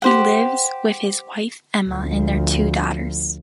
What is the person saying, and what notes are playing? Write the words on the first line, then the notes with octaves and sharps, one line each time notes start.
He lives with his wife Emma and their two daughters.
G4 C5 F#5
D2 F3